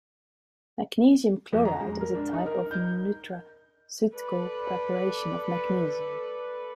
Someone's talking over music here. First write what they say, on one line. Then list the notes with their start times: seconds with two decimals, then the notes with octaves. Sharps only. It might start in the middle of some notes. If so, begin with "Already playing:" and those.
Magnesium chloride is a type of neutraceutical preparation of magnesium.
1.53 F2
1.65 A#5
1.81 G#3
2.01 A#4
2.15 D4
2.34 D#4
2.46 A#4
2.71 G6
4.13 A4 B4 D5